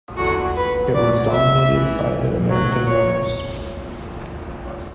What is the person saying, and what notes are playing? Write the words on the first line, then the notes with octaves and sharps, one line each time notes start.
It was dominated by the American runners.
E2 D3 F#3 F#4
B4
A2 F#3 D5
E5
A2 E3
A2 F#3
C#5